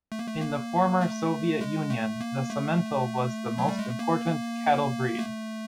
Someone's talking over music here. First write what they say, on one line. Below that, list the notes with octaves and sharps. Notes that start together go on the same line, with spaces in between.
In the former Soviet Union, the Simmental was the most important cattle breed.
A3
A#3
A3
A#3
A3
G#3
A3
A#3
A3
F#3
G3
G#3
A3
A#3
A3